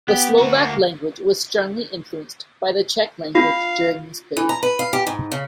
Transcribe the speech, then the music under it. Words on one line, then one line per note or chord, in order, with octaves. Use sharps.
The Slovak language was strongly influenced by the Czech language during this period.
B3 G4
D3 F#4
A#3
D4 F4 F5
E3
A#5
B4
F5
G4
G#2
C#3